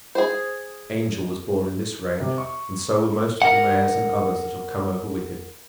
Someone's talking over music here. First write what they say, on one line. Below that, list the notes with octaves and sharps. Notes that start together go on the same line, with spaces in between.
Angel was born in this range, and so were most of the mares and others that have come over with him.
G#4 C5
C3
C#6
A#4 F#5